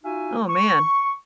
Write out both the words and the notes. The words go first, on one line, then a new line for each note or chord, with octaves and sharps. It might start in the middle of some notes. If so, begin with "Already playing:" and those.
Oh, man.
D#4 F4 F#4 E5 F5 G#5
C#6